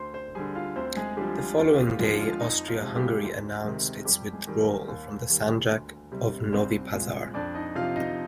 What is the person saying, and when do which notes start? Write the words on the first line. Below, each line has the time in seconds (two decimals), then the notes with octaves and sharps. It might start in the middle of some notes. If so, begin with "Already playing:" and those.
The following day, Austria-Hungary announced its withdrawal from the Sanjak of Novi Pazar.
Already playing: D2 C5 C6
0.14 C5 C6
0.35 D3 G3 G#4 G#5
0.55 F4 F5
0.76 D2 C4 C5
0.97 G#3 G#4
1.17 D3 F3 G3 G4
1.38 F4
1.58 D#2 F4
1.70 G4
1.79 F4
1.99 D3 F3 G#3 F4
2.21 F4
2.40 F2 D#4
2.68 F4
2.82 C3 F3 G#3
2.96 G3 G4
3.23 D2
3.64 C3 D#3 G#3
4.05 F2 G3 G4
4.33 G#3 G#4
4.47 D#3 G3
4.61 A#3 A#4
4.88 D#2
5.29 D#3 G3
5.69 D2
6.12 C3 G3
6.53 C2 C4 C5
6.93 A#2 G#3
7.34 F2 D4 D5
7.55 D#4 D#5
7.75 C3 F3 F4 F5
7.96 D#4 D#5